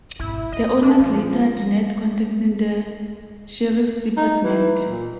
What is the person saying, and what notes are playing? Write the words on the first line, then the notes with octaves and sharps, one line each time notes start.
The owners later denied contacting the Sheriff's Department.
G#1 B2 E4
A2 D#5
D4
A#2 F3
F3
A#6
D#4
E3
A#2